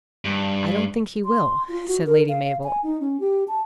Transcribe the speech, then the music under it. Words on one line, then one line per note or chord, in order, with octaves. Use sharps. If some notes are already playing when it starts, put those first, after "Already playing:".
"I don't think he will," said Lady Mabel.
G2
C6
F4
F#4
A#4
F5
F5
G#5
D#4
C#4
G4
A5